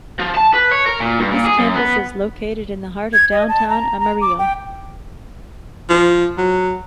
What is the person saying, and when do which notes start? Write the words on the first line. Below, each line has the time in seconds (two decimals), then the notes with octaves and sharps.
This campus is located in the heart of downtown Amarillo.
0.19 F3
0.35 A5
0.54 B4
0.71 C#5
0.86 A#4
1.01 A#2
1.19 G2
1.31 A#2
1.45 G#4
1.58 F#2
1.74 B3
3.14 G#6
3.32 D#5
3.49 A5
3.70 A#5
4.00 A#5
4.21 D6
4.39 G5
5.89 F3
6.38 F#3